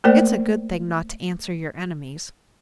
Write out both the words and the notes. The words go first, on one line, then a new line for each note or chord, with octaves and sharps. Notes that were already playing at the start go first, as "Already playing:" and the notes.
It's a good thing not to answer your enemies.
A3 A#3 A#4 C5 D5 G5